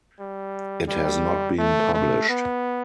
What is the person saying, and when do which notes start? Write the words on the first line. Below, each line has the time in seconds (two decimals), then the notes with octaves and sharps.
It has not been published.
0.20 G3
0.89 G3
1.59 A3
1.94 A3
2.29 B3